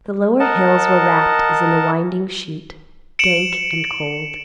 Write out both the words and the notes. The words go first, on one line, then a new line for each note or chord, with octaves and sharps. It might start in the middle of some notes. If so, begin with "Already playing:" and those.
The lower hills were wrapped as in a winding sheet; dank and cold.
A#4 D#5 F#5 A5
C#7 D7 E7 F#7